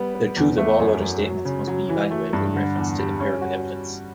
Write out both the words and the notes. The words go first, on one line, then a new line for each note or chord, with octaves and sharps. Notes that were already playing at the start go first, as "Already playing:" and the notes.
The truth of all other statements must be evaluated with reference to empirical evidence.
Already playing: G3 B3
B3
E2
A3
F#2
F#2
F#3
C#3
F#3
E3
A3
G2
D3
E2
G3
C#4
F#4